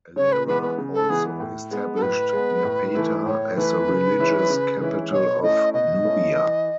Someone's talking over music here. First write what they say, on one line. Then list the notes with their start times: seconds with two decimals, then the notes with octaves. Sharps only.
Alara also established Napata as the religious capital of Nubia.
0.16 C#3 C#5
0.32 B4
0.47 E3 G#3 B3 B4
0.62 B4
0.78 C#3
0.94 A4
1.09 E3 G#3 B3 G#4
1.40 A2
1.71 G#3 B3
1.95 A4
2.02 A2 B4
2.33 G#3 B3
2.64 A2
2.95 E3 A3 E4
3.26 A2 C#5
3.57 E3 A3 E4 B4
3.88 C#3
4.19 E3 G#3 C#4 E4
4.50 C#3
4.81 E3 G#3 C#4 E4
5.11 B2 C#5
5.43 A3 C#4 E4 D#5
5.73 B2 D#5
6.05 A3 C#4 E4
6.36 E3